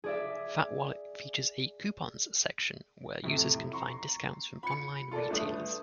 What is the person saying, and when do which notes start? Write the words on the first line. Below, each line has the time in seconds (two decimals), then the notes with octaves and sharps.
FatWallet features a "Coupons" section where users can find discounts from online retailers.
0.04 G#4 D5 E5
3.24 F2 A2 C3
3.73 A#5 C6 C#6
4.63 B5 C#7
5.11 F4 A4 A#4 D5
5.30 G1 A3 B4 D#6